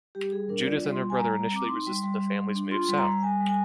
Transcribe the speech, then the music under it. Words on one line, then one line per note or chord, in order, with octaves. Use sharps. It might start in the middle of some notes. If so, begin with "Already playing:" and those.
Judith and her brother initially resisted the family's move South.
G3 G4
G3 G#4
D4 A#4
F4 D5
G3
C6
G3
G#5
G3 A#5
G3
C4 D6
D#4 C6
G3
G3
G3
G3
D4
F4 C6
G3 C6
A#5
G3
G3 G#5
G3
G#5